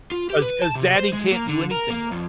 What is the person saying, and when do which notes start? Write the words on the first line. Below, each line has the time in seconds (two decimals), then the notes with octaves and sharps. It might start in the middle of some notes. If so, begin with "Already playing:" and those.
'cause 'cause daddy can't do anything wrong.
0.11 F4
0.30 G4
0.42 B4
0.62 A5
0.75 C3
0.95 C5
1.13 G#3
1.32 A#3
1.49 D3
1.71 A#4
1.90 A#3
2.11 F2